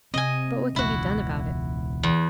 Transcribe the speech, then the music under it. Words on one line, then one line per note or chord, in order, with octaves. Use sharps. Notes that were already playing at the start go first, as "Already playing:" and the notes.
But what can be done about it?
C3 C4 D#5 G#5
E1 C#2 E4 F#4
E2